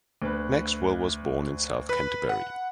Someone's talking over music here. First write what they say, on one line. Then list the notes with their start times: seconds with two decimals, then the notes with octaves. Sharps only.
Maxwell was born in South Canterbury.
0.22 D2 B4
1.89 B4 B5
2.29 F#5